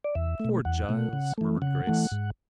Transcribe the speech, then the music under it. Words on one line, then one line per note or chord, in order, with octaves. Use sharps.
"Poor Giles!" murmured Grace.
D5
E2 E5
A3
B2
E2 F#5
B2 A3
C#3
E3 A3
C#3 F#5
E3 A3
G#2